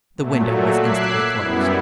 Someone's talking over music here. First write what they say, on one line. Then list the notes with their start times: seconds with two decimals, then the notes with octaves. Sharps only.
The window was instantly closed.
0.17 A#2 F#3 A3
0.75 D6 E6 F#6 G#6 B6 C7
1.35 F#2 G3 B3 E4